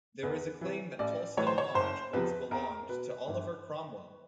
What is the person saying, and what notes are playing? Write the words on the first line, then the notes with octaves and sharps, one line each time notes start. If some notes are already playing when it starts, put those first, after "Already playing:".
There is a claim that Toulston Lodge once belonged to Oliver Cromwell.
E2 B4
C3 E3
A1 D5
A2 E3 C#5
C5
C#5
F#1 C5
E2 C3 F3 B4
E2 A#4
B2 B4
G1